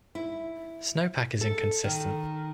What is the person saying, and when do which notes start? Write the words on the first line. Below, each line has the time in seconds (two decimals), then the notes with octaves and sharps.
Snowpack is inconsistent.
0.15 E4
1.41 A4
1.84 D#3